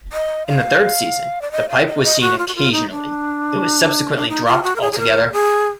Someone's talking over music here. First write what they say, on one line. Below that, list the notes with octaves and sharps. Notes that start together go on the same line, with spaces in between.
In the third season, the pipe was seen occasionally; it was subsequently dropped altogether.
D#5
F5
D5
D#5
F5
D#5
D#5
F#4
F4
F#4
F4
D#4
D4
D4
D#4
F4
F#4
A#4
G#4
G#4
A#4
G#4